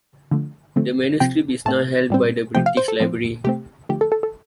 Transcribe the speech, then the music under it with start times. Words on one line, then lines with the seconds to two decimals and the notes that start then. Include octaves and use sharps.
The manuscript is now held by the British Library.
0.31 D3 F3 A3
0.76 D3 F3 A3 C4
1.20 C3 F3 C4 G5
1.65 A2 A3 C4 A5
2.10 A2 G3 C4
2.55 C3 F3 A3 C4 G5
2.66 F5
2.77 C5
2.88 A4
3.00 A2 F3 C4
3.44 C3 A3 C4 G4
3.89 D3 F3 A3 G4
4.01 A4
4.12 A4
4.23 A4